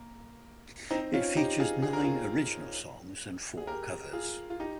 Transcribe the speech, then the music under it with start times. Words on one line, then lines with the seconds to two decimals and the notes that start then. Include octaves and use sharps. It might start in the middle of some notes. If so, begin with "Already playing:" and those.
It features nine original songs and four covers.
Already playing: A#3
0.91 C4 D#4
1.14 C#4 F4
1.37 D#4 G4
1.59 F4 G#4
1.82 G#4
1.93 A#4
2.04 F4 G#4
3.57 G#4
3.67 G4 A#4
4.13 F4 G#4
4.50 F4
4.60 D#4 G4